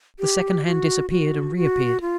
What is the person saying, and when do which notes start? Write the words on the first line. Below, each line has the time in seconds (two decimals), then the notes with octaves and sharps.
The second hand disappeared--and reappeared.
0.19 G4
0.65 F#4
1.10 F#4
1.56 F#4
2.01 F4